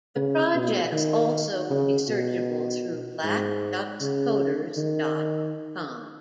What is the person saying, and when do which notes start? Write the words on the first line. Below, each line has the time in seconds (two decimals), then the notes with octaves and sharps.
The projects also will be searchable through Black Duck's Koders dot com.
0.16 C#3
0.55 B2
0.93 D#3
1.70 C#3
2.09 B2
3.24 G#2
4.01 C#3
4.77 D#3